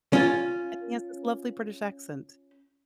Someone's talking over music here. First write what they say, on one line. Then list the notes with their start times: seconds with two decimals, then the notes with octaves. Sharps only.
and he has this lovely British accent.
0.13 C#4 F4